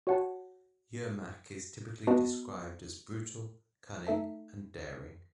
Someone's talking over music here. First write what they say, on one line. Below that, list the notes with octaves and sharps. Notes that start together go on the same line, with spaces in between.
Yermak is typically described as brutal, cunning, and daring.
F#4 C#5 F#5 A5
B3 F#4 B4 D#5 A5
A3 D#4 A4 E5 A5